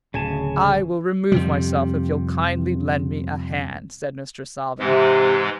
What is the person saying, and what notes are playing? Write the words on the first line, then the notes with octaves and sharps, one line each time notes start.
"I will remove myself if you'll kindly lend me a hand," said Mr. Salvin.
D1 C#3 G#5 A5
F2 C3 G3
G#2 C3 E3 G#3